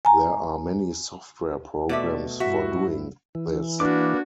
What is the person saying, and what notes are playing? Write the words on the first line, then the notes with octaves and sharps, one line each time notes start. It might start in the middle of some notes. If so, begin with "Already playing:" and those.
There are many software programs for doing this.
G#5 A#5
B2 A3 D5 E5
G2 E4 F#4 E5
E3
A#3 D4 F#4 B4 D6